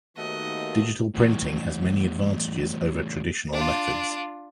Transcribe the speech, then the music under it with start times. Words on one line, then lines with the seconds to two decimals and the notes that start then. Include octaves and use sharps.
Digital printing has many advantages over traditional methods.
0.17 D#2 D#3 A3 B3 F#4 D#5
1.14 E2 A2
3.53 D4 F4